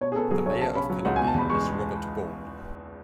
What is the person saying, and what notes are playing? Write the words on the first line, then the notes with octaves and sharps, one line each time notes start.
The mayor of Columbia is Robert Bourne.
B2 C#5
G#4
B3 A4
F#3 G#4
B1 C#5
C#3 A5
C#4 B5
F#3
C#2 F#5
B2 G#5
A5
E2 B5
G#3 C#6